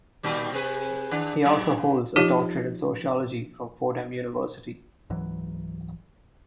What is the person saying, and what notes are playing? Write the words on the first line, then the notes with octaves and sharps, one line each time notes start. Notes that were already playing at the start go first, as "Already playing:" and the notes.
He also holds a doctorate in Sociology from Fordham University.
A#2 D#3 G3
C3 G#4 B4
D#3 D4
F#3
D#2
F3 D#4 F4 G4 C#5 A5
C#2 G#2 E3 F#3